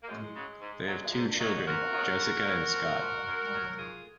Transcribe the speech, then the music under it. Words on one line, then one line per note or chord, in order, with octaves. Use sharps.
They have two children, Jessica and Scott.
A#3
F#2 G#3
C#3 F#3
G#2
F#3
G#2
D#3 F#3 D#4 F#4
G#2 F#4 A#4
D#3 F#3
D#2
C#3 F#3
F2
F3
F#2
D#3 F#3
G#2 F4 G#4